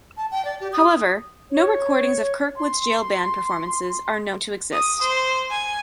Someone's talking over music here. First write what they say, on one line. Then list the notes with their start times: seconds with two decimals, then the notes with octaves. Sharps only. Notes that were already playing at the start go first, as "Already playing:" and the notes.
However, no recordings of Kirkwood's jail band performances are known to exist.
0.17 A5
0.31 G5
0.45 D5
0.60 G4
0.73 D#6
1.51 C#5
2.56 C6
4.72 D#6
5.02 C5
5.50 G#5